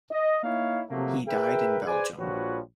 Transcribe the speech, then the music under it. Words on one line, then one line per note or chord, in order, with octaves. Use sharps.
He died in Belgium.
D#5
A#3 D#4 E4 C#5 F5
C3 F3 F#3 A3 A#3
G#4 A#4 B4 E5 G5
G#4 B4 C5 D5 G#5
A#1 F3 G3 F#4 B4 C#5